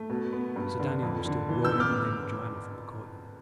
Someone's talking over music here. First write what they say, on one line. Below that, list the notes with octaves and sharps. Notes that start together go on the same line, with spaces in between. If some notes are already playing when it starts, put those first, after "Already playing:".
Sir Daniel was still roaring the name of Joanna from the courtyard.
Already playing: A3
B2
B3
G2
D3
F2
D3
E3
E6 G6
B3
D6 F6